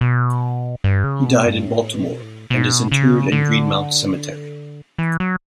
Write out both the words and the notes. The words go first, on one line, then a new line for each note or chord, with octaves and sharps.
He died in Baltimore, and is interred in Greenmount Cemetery.
B2
G2
C#3
B2
G2
A2
B2
A2
B2
C#3
D3
E3
F#3